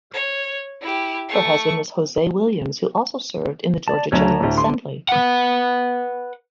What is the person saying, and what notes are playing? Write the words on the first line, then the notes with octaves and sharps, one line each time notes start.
Her husband was Hosea Williams who also served in the Georgia General Assembly.
C#5
E4 G4
A3 C#6
D5 A5
D2 F#3 C#5 A5 A#5
D2 A2
D3 C6
B4 F#5